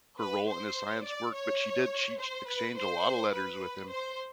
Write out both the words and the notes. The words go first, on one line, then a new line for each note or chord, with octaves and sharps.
her role in his science work, but she did she sh exchanged a lotta letters with him,
B4
C5
D5
C#5
C5
B4
C5
B4
C5